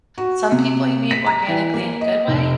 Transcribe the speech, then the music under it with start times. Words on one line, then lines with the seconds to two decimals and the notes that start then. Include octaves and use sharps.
some people you meet organically in a good way,
0.18 F#4
0.52 C3
1.11 B6
1.26 A#5
1.48 E3
1.74 A#3
2.01 D#5
2.28 F1